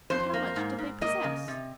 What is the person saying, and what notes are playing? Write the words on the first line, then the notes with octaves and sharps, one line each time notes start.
"And how much did they possess?"
F2 C5
A#3
G#2
G#2
A#3 D#5
C#3
C3